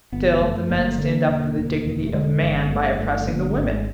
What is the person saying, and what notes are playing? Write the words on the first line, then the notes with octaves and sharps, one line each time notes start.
Still the men stand up for the dignity of man by oppressing the women.
G1 B3
F#2 A3
G1 A#3
A3
D3 A#3
E1
D2
E1
A3
D3 G#3
G1
A#3
G2 A3
G1 A3
D3 A#3
A#3
G#3
G#1 A3
G#3